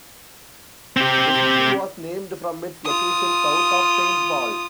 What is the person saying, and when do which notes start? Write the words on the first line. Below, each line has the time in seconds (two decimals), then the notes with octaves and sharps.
The city was named from its location south of Saint Paul.
0.97 C4 G4
2.85 F4 D#6